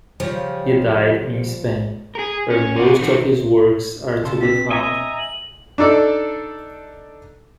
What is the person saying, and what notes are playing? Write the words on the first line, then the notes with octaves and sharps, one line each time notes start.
He died in Spain, where most of his works are to be found.
C#3 F3 G3
G#4 A#4
C#4
A#3 F#4
D#3 C4
C#3 A5 C6
C4 D4 B4 B6
D#5 E5 G#5 A#5
F#7
D4 D#4 A4 D5